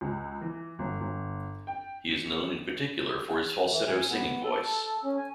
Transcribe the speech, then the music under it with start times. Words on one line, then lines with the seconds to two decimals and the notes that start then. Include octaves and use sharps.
He is known in particular for his falsetto singing voice.
0.01 C#2
0.41 E3
0.79 G1
1.01 G1
1.67 G5
2.12 C#7
3.71 E3
3.88 G#5
4.10 B3
4.44 A4
5.04 C#4
5.17 G#5